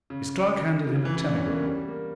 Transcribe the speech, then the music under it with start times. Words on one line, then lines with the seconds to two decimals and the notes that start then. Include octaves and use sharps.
His clerk handed him a telegram.
0.10 C#3
0.86 B2
0.95 C#3
1.05 E3
1.15 E3
1.24 D4
1.33 B3
1.38 C#4
1.50 A#3
1.63 G3
1.88 A#3